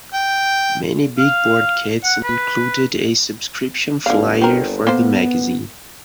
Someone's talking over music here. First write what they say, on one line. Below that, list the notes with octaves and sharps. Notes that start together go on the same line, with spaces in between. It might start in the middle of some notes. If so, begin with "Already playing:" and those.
Many Big Board kits included a subscription flyer for the magazine.
G5
F5
F#5
B4
G1 D3 F5
C4 A#4
A#3 B3 A4 C5